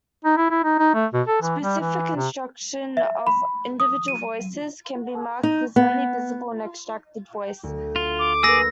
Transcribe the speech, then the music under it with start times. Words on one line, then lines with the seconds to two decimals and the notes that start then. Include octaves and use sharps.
Specific instruction of individual voices can be marked as "only visible in extracted voice".
0.24 D#4
0.37 E4
0.50 E4
0.64 D#4
0.79 D#4
0.94 A3
1.13 B2
1.27 A4
1.42 E3
1.61 G3
1.80 E3
2.16 C3
2.97 E5
3.27 B5
3.80 D#6
4.08 D#7
5.43 D#4
5.76 B3
7.63 D2
7.96 F4
8.19 D6
8.43 A#3 G#4 B4 E6 A#6